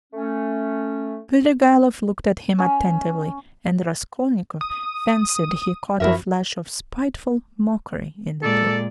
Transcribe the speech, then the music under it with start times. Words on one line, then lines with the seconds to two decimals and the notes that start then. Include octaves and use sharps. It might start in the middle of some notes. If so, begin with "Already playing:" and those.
Svidrigailov looked at him attentively and Raskolnikov fancied he caught a flash of spiteful mockery in that look.
0.13 A3 C#4
2.59 C#4
4.61 D#6
6.00 F#2 F3 E4 F#4 A#4 E5
8.43 A#2 G#3 A4 D5